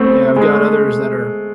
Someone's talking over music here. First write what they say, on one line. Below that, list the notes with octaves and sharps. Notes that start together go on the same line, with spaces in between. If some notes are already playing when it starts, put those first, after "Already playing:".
yeah, I've got others that are
Already playing: A3 B3 C4
G#3
A3